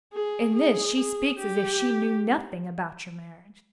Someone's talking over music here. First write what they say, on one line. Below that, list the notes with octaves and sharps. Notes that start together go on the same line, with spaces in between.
"In this she speaks as if she knew nothing about your marriage."
G#4
G#4
G#4
G4